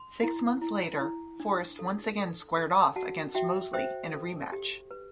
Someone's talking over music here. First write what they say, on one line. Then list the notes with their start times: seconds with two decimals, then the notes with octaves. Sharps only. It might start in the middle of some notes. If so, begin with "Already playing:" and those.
Six months later, Forrest once again squared off against Mosley in a rematch.
Already playing: C6
0.23 E4
0.62 E4
1.01 E4
1.40 D4
1.79 A4
2.18 A4
2.56 A4
2.96 F#4 F#5 A5
3.35 F#4 E5 G5
3.73 C5 E5 G5
4.12 A4
4.52 G4
4.91 B4